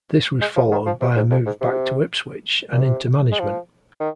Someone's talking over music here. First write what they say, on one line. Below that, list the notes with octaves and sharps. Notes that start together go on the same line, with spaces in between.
This was followed by a move back to Ipswich and into management.
G#3
F3
D#3
F3
C3
G#2
F2
G#2
C3
A#2
C3
G#3
F3
D#3